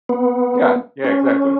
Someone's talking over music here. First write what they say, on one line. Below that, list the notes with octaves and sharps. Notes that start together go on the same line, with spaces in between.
Yeah. Yeah, exactly.
B3
C#4